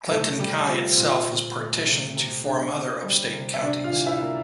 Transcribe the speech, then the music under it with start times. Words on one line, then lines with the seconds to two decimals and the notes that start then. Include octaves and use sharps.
Clinton County itself was partitioned to form other upstate counties.
0.10 C3 A3 A4
0.39 C3 G3 G4
0.68 C4 F4
0.98 A#2 F4
1.28 A#2
1.58 A3
1.86 C3
2.16 C3
2.45 D4
2.74 C4
3.03 G3
3.33 C3
3.54 E5
3.62 C3 D4 D5
3.84 F4 F5
3.93 E3
4.06 E4 E5
4.22 A#3